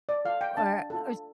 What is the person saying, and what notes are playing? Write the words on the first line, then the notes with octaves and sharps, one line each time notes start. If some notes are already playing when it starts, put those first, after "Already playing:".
Or or
D5
F4 A4 F5
G5
D4 A5
F4 A4